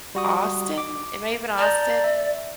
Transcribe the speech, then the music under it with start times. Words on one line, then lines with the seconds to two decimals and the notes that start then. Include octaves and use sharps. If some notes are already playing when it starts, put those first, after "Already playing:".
Austin, it may have been Austin
0.15 G3 F#4 D#6
0.78 D6
1.58 D5 A5 A#5 G6
2.04 E5